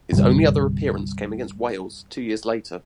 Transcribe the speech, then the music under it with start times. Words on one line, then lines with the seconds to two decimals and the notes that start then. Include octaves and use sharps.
His only other appearance came against Wales two years later.
0.12 G1 C2 G3